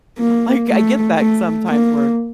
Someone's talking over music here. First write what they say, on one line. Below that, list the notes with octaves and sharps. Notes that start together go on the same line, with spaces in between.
like, I get that sometimes where
A#3
A3
A3
A#3